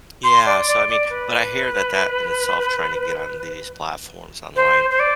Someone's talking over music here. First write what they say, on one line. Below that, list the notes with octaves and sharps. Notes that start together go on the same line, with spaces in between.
yeah, so, I mean but I hear that that in itself tryna get on these platforms online,
C6
D5
D5
D5
B4
C5
C5
D5